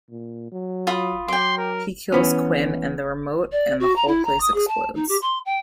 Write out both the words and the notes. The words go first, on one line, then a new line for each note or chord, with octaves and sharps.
He kills Quin and the remote and the whole place explodes.
A#2
F#3
F4 B5 D#6
F#3 G5 C6 D6
A#4
E3 B3 C#4
D5
F#4
A#5
E4
A#5
D#6
G#4
A5
D#4
G4
C6
G5